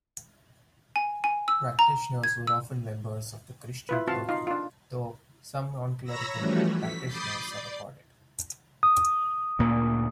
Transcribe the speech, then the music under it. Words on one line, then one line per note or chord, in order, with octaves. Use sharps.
Practitioners were often members of the Christian clergy, though some nonclerical practitioners are recorded.
G#5
G#5
E6
A#5
G#6
E6
E4 F4 B4
C4 F4 F#4 F5 A5
D#4 F4 F5
D4 F4
C#5 A#5 B5 E6 A#6
E3 F3 G3 A3 C#4 F#4
B6
B5 D6 D#6 G6 A6 C7
D5
D#6
D2 A#2 A#3